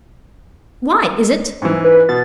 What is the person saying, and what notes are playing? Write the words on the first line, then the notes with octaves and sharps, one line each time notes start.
"Why? is it--?"
G#2 E3
B4
B2 A6